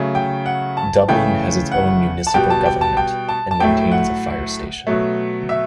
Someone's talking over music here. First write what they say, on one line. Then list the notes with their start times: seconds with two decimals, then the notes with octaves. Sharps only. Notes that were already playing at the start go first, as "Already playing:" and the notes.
Dublin has its own municipal government and maintains a fire station.
Already playing: C#3 F#3 A3
0.15 G5
0.46 F#5
0.77 A5
1.08 C#3 E3 A3 G5
1.72 F#5
2.27 A5
2.34 B2 G3 G5
2.50 A5
2.66 G5
2.81 A5
2.97 G5
3.29 A5
3.51 A5
3.60 A2 F#3 A3 G5
3.92 F#5
4.87 B2 F#3 A3
5.49 E5